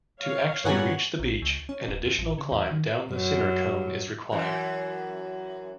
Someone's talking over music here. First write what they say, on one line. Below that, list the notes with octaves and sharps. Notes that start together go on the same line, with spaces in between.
To actually reach the beach, an additional climb down the cinder cone is required.
C#5 F5
G2 G3 A#3 B3 C#5 F#5 G#5
A#1
C#2
C#4
D#1
F2
A1
C#3
E2
D#3
F#2
F#2 E3